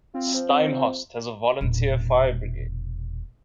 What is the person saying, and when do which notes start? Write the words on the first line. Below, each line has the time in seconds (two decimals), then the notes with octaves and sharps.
Steinhorst has a volunteer fire-brigade.
0.14 C4 F4
0.34 F3
0.49 C4
1.61 E1 A#2